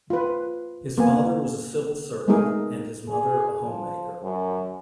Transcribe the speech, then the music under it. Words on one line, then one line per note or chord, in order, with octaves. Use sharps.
His father was a civil servant and his mother, a homemaker.
F4 B4
A#3 B3 G#5
G#3 A3 B3 D#4 G#4 A#4
G#4
F3
F#2